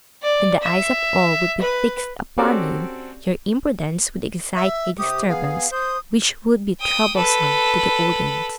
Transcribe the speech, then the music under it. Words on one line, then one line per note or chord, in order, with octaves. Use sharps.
Then the eyes of all would be fixed upon you; your imprudence would excite a disturbance, which would be troublesome to the audience.
D5
E5
B4
C4 C#4 F#4 G4 A4 D5
E5
C3 G4 D#6
B3 G#4 F5
C5 D#6 G6
G5 D#6
A4 B4